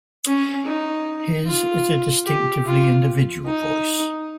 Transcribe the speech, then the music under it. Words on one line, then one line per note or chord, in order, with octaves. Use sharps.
His is a distinctively individual voice.
C#4
D#4
F4
G4
F4
D#4